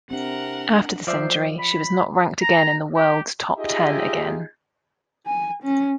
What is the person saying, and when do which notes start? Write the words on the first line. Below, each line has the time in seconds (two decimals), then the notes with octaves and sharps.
After this injury, she was not ranked again in the world's top ten again.
0.11 C3 C4 D4 A#4 F#5
1.07 F3 C5 D5 E5
1.59 B5
2.42 A#5
2.96 G4
3.58 D#4 F4 G4 G#4 D#5 E5
5.26 G#5
5.63 C#4